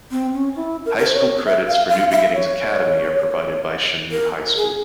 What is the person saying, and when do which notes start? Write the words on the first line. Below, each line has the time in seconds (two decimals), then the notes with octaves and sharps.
High school credits for New Beginnings Academy are provided by Chanute High School.
0.11 C4
0.33 C#4
0.56 E4
0.86 A#4
0.98 A#4
1.06 C5
1.15 C#5
1.45 E5
1.67 F5
1.89 F5
2.11 E5
2.34 C#5
4.11 A#4
4.56 G#4